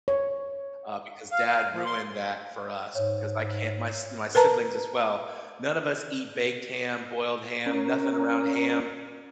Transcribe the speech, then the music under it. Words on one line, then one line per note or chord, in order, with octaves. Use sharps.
uh, because dad ruined that for us, because I can't my s my siblings as well, none of us eat baked ham, boiled ham, nothing around ham,
C#5
F5
F3
C6
G#2 C#5
A#4 B4 A5 A#5
C#4 A#4